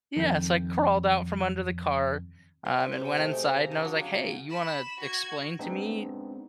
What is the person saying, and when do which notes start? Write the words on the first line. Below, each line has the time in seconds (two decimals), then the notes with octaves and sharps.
Yeah, so, I crawled out from under the car, um, and went inside, and I was, like, "Hey, you wanna explain to me,
0.17 F2 D#3 G6
2.65 C5
2.80 E5
2.92 C3
3.05 G5
3.17 A3
3.31 G#3
3.43 F5
3.57 A#5
3.71 D4
3.85 F#3
3.99 C#3
4.15 C#3
4.49 B5 E7
5.00 F#4 G#6
5.59 G#3 B3 C4 D4 D#4